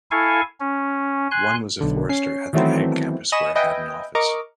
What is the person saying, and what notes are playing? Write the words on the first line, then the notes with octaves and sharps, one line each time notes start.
One was a forester at the Ag campus where I had an office.
E4 A4 F5 G#5 C#6
C#4
G#5 C6 F#6
B1 D3
C#4 C7
D#3 E3 F#3 A3 B3 C4
D#5 G#5 B5 C#6 D#6 E7
B4 D#5 E5 G5 G#5
A#4 D#5 A#5 C#6 D6